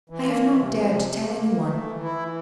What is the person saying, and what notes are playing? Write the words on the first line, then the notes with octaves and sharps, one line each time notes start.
I have not dared to tell anyone.
E3
A#3
E3
C3
F3
C3
C3
A#3
A#3
E3
A3
E3
E4
E3